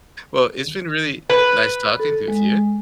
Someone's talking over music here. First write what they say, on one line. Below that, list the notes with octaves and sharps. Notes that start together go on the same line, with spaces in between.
Well, it's been really nice talking with you.
B4
A4
G#3